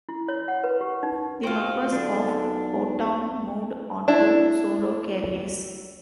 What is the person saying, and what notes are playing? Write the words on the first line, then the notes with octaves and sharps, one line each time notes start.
The members of O-Town moved on to solo careers.
E4
C#5
F#5
B4
G4
D#4
F4 F#4 G#4 C5 G5
B1 D3 D4
D4 E4